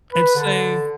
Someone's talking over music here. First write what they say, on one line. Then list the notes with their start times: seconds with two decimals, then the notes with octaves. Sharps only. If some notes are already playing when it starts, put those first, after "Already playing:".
And say
0.13 B4
0.35 D3